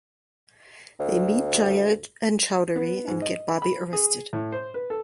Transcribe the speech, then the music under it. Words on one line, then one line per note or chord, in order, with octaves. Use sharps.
They meet Jaya and Chowdary and get Bobby arrested.
D2
B3
G#2
D#5
B5
B5
G#4
A2
C5
B4
A4